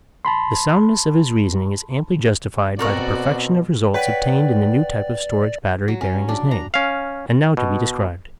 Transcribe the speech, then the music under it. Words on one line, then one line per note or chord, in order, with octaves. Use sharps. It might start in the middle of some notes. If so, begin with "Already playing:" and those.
The soundness of his reasoning is amply justified by the perfection of results obtained in the new type of storage battery bearing his name, and now to be described.
A5 B5 C6
B2 C4 F#4 A4 A#4 D5 C#6
B4 C#5 D5 F#5 G5
F#3
C#4
D4
A#5
C#4 F5
B2